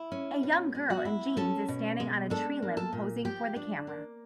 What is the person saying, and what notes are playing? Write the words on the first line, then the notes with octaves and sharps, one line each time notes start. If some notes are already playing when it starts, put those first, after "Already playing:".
A young girl in jeans is standing on a tree limb posing for the camera.
Already playing: E4
C#4
B2
G#3
F#4 F#5
E4
C#4 A4 A5
B2
G#3
D4 A4 A5
A#3
A4 A5
A#2
F3 G4 G5
D4
A#3